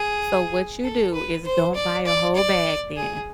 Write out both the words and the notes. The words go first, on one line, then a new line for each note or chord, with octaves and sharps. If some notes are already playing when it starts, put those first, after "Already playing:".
So what you do is don't buy a whole bag then,
Already playing: G#4
A4
B4
C5
D5
D5
D5
G#4